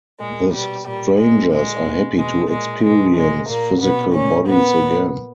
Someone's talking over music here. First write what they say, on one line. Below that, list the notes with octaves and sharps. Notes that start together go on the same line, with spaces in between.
The strangers are happy to experience physical bodies again.
A#2 G#3
B2 G3
A#2 G3
A#2 G#3
A#2 G#3
B2
B2 G#3
A#2 G#3
B2 G#3
A#2 G#3
A#2 A#3
B2 B3
A#2 C#4
A#2 B3
A#2